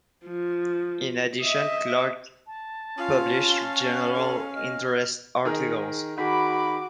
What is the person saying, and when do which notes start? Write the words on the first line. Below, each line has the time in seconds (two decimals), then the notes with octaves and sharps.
In addition, Clarke published general interest articles.
0.25 F3
1.43 D#5 E5
2.47 A5
2.98 C#4 F4 F5
3.73 C#6
4.16 A4
4.55 D#5 F6
5.45 D#3 G#4 A#4
6.18 D#3 F#4 G#4 B5 D6